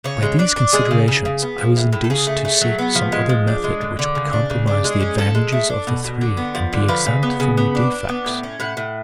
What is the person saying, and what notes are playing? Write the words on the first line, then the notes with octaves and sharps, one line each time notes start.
By these considerations I was induced to seek some other method which would comprise the advantages of the three and be exempt from their defects.
C#3 C#5
G#3
D4 D5
D4
G#3 G#4
C#3
C#3
C#3
B3
F3
A2
A2
A4
C#3 G#4
A3
A3
F#3
B3
F3
G#3
F3
D4
G#3
D3
D3
C#3
D4
C#3
D4
G#3 G#4
C#4
F3 A4
G#3
A3
D4
B2
B2
D3
B3
F3
D3
F3 B4
C#3
B3
C#3
B3
D4
D4
B3
A2
C#4
A2 F#5
A2